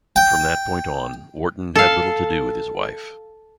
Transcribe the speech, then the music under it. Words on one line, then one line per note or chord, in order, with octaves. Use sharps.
From that point on, Wharton had little to do with his wife.
G5
A4 F5